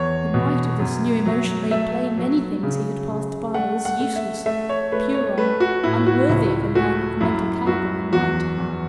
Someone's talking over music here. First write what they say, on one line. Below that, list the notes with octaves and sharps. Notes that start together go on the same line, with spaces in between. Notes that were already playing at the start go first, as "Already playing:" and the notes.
The might of this new emotion made plain many things he had passed by as useless, puerile, unworthy of a man of mental calibre and might.
Already playing: E2 C#5
B2
F#2
F#3
A3 E5
F#3
C#3
C#3
A3 F#5
F#5
A3
E5
A3 E5
C#5
A3 B4
C#5
A3 B4
F#4
A2 E4
F#4
C#2 E4
A3 F#4
F#2 E4
F#2 F#4
E2 F#4
E2